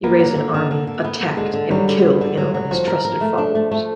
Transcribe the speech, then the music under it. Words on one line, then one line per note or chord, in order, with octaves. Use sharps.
He raised an army, attacked, and killed Inel and his trusted followers.
A#3 B3
F#3
D3
D3
D3
D3
B3
B3
D3 G#3
D3
F#3 G3
D3
B3
D3
F#3
F#3
F3 F#4
A#4
A#4
A3
D4
A3
A3